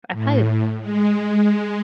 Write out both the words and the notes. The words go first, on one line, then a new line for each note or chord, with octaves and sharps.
I probably
A2
G#3